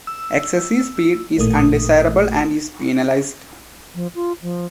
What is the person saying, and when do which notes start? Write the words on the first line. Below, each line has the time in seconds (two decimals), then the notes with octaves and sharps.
Excessive speed is undesirable and is penalized.
0.07 E6
1.38 A1 A#2 A3 D#6
3.95 F3
4.15 F4
4.42 F3